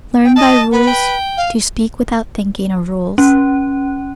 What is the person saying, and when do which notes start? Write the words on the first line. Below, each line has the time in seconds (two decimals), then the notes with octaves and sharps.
Learn by rules to speak without thinking of rules.
0.24 G5
0.36 D#5 A5
0.72 B3 B4
0.87 G5
1.37 F5
3.18 C#4